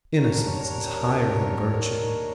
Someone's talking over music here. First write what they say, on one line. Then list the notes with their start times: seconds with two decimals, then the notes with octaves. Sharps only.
Innocence is higher than virtue.
0.17 D#2 D#3 D4 A#4 C#5 A#5